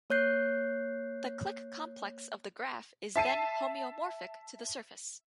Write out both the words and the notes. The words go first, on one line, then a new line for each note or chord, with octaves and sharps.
The clique complex of the graph is then homeomorphic to the surface.
A#3 C#5 F#6 G6 C7
E5 A5 C7 D#7